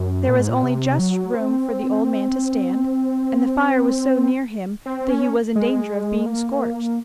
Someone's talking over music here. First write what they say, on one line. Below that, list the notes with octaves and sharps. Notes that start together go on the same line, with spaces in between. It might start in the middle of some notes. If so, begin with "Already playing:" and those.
There was only just room for the old man to stand, and the fire was so near him that he was in danger of being scorched.
Already playing: F#2
A#2
G#2
A#2
C3
F#3
C4
C4
C#4
G#3
A#3